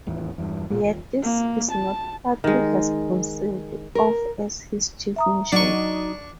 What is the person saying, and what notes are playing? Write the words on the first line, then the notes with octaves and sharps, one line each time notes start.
Yet this is not what he has conceived of as his chief mission.
D#1 A1 E2
E2 G2
G2 A#2 G#3
D#1
A#3
A5
D#3 G#3
A#4
E5 A#5 D#6
F#3 D4 D#4 D#5 C#6